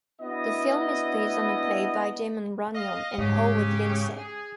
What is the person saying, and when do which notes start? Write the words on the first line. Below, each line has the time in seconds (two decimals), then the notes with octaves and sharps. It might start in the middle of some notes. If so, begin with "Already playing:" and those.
The film is based on a play by Damon Runyon and Howard Lindsay.
0.20 B3 D4 E4 F#4 D#5
2.74 D#5 F5
3.18 G#2 C#3 G4
4.17 G#4